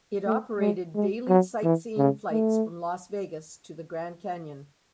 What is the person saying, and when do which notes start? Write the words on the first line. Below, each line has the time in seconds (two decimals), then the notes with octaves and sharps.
It operated daily sightseeing flights from Las Vegas to the Grand Canyon.
0.26 A3
0.60 G#3
0.95 G#3
1.29 F#3
1.63 E3
1.98 C#3
2.32 A3